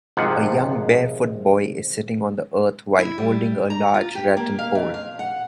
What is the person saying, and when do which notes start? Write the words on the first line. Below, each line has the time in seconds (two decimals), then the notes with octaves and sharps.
A young barefoot boy is sitting on the earth while holding a large rattan pole.
0.17 G#1 G#2 C3 F3 G#4 F#5
2.99 E4
3.18 G3
3.70 A#5
3.94 F4
4.15 G4
4.37 A#3
4.59 F5
4.75 F2
4.94 F5
5.19 F#5